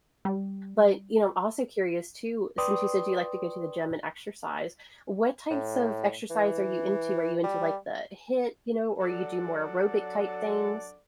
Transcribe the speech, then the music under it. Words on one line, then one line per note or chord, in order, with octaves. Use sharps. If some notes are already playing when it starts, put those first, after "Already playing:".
But, you know, I'm also curious too, since you said you like to go to the gym and exercise, what types of exercise are you into? Are you into like the HIIT, you know, or you do more aerobic type things?
G3
B4 D5 G5 C6 D#6
A2
E3
G3
F#3 D4 A4 D5 F#5